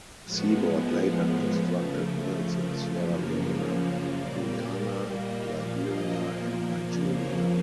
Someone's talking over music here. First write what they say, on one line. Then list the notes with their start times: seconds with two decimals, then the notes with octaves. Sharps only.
Seaboard later constructed mills in Sierra Leone, Guyana, Liberia and Nigeria.
0.24 A2 F3 G#3 B3 F#4
0.90 G#4
1.22 A#4
1.55 C#3 F3 A3 B4
1.88 A#4
2.21 A4
2.54 A#4
2.87 F#2 C#3 F3 A#3 B4
3.20 C#5
3.53 C#5
3.86 C#5
4.19 A#2 G3 A#3 D5
4.51 D5
5.18 D#5
5.50 A#2 F3 A#3 D5
5.84 D#5
6.82 F2 C#3 F3 A#3 D5
7.14 C#5